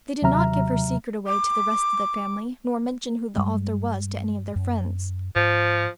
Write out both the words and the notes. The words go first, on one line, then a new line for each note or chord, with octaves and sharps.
They did not give her secret away to the rest of the family, nor mention who the author was to any of their friends.
D#2 C3 F#3 E5 A#5 F6
D6
G2 G3 G#3
F#2
G#2 F3